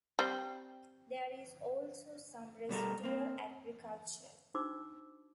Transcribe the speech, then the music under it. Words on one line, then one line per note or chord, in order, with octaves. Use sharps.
There is also some residual agriculture.
G3 C4
B2 G3 A4 A#4
A#3 C4
D4 D#4 F#4 C5 D6 E6